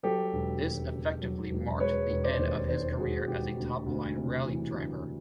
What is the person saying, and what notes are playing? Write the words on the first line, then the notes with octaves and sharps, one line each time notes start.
This effectively marked the end of his career as a top-line rally driver.
F#3 G4 A4
E1
D#2
C#3
F#3
E1
G#3 B4 C#5
E1
C5 D5
D#2
D#3 C5 D5
G#3 F#4 G#4
E1 G4
D2
D2
C3
E3
D2